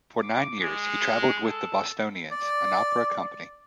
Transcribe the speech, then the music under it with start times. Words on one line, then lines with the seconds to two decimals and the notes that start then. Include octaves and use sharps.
For nine years, he traveled with the Bostonians, an opera company.
0.22 D6
0.60 G#3
1.44 A4
2.31 D5